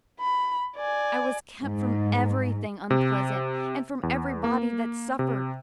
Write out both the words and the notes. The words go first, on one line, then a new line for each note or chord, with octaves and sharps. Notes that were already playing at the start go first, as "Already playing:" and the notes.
I was kept from everything unpleasant, and from everybody that suffered.
B5
D5 G#5
G#2
C3
E2
A#3
C3